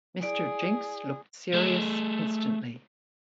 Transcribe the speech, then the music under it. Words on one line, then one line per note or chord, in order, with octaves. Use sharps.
Mr. Jinks looked serious instantly.
E4 G#4 D5 D7
A3 G#4